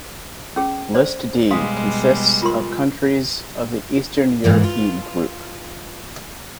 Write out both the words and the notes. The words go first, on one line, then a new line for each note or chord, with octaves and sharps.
List D consists of countries of the Eastern European Group.
C#4 G#4
C5 D5
B2 G3 G#3 F5 C6 D#6
F4 A#4 C6
G#2 E3 A#3
F4